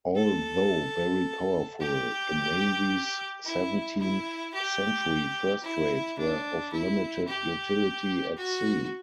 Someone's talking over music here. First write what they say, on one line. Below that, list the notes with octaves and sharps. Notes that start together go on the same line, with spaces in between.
Although very powerful, the Navy's seventeenth century first-rates were of limited utility at sea.
A4
G4
E4
E4
G4
E4
D4
E4
G4
F#4